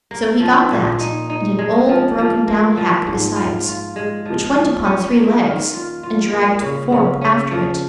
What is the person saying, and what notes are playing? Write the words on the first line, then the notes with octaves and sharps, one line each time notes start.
So he got that, and an old broken-down hack besides, which went upon three legs, and dragged the fourth after it.
A#3
F3
A#2
D#4
D#4
G#3
F3
F3
A#3
F3
G#2
F4
F4
G#3
F3
F3
C#4
A#3
D#3
F4
F4
A#3
C#3
C#3
C#4
F3